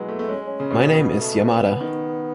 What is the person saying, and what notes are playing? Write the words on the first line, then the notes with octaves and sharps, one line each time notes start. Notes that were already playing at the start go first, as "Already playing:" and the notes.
My name is Yamada.
Already playing: B2 E3 F#3 G#3 B3
A3
A3
G#3 C#4
C#4
C#3
B2
C#3
B3
A3
B3
D#3